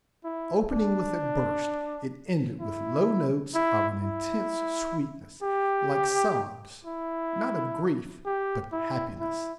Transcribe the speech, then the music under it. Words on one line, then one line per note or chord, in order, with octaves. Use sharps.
Opening with a burst, it ended with low notes of an intense sweetness like sobs, not of grief, but happiness.
E4
D4
E4
E4
E4
G4
E4
G4
E4
E4